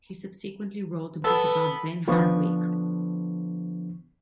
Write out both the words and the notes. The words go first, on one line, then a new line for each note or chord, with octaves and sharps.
He subsequently wrote a book about Ben Hardwick.
B3 A4 B4
D3 F3 B3 D4 C#6